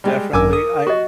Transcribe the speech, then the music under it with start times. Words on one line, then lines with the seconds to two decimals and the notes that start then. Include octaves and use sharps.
Definitely. I
0.04 G3 G#3 G4
0.33 G#1 F#2 D4 A#4 G#5 D6 E6
0.53 D#6
0.87 F#4 D#5 F#5 C#6